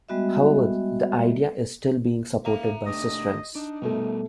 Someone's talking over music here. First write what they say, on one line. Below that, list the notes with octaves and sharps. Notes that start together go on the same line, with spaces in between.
However the idea is still being supported by Sustrans.
G3 G#3 B3 F#4 D#5 E5
A#3 E5 A#5
A3 D4 G4 D#5
D4 D#4
B2 G3 A3 A#4